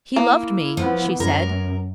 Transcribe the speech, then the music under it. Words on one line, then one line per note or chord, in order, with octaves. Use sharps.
"He loved me," she said.
A#3 E4
F3 B3
F#2 A#4